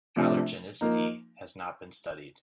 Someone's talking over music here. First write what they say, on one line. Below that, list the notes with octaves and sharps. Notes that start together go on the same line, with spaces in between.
Allergenicity has not been studied.
C3 F3 A3 D4
F3 A#3 D#4